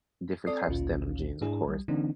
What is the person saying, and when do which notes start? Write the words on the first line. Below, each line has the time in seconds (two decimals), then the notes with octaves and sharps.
different types of denim jeans, of course.
0.46 C4 A4 D5 D#6 C7
0.68 A1 D2 A#2 C#4 F4
1.41 G#2 D4 E4 G#4
1.66 B1 G3
1.88 D3 E3 A#3 C4 D4 D#4